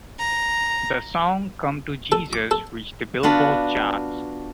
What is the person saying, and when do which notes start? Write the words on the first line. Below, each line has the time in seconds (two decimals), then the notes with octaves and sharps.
The song "Come to Jesus" reached the "Billboard" charts.
0.19 A#5
2.12 A4
2.33 D6
2.51 A4
3.23 B3 D4 F4 F#4